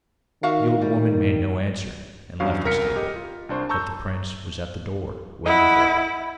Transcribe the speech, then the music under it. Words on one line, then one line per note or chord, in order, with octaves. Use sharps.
The old woman made no answer, and left the stable, but the prince was at the door waiting for her.
D#3 F#4 E5 F5
G3
E2 G2 F#3 C#4 F#4 F5
C2 A#4 A#5 F6 B6 C#7
G4 D#5
F4
C2 D4 C5 C#6
A5 A#5 C#6 E6 G6
E4 D#5 F#5